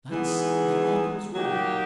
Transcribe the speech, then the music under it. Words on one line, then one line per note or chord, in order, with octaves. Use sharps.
That's the author's reward.
E3 G#3 B3 D#4 G#4
F#3 A#3 D#4 G4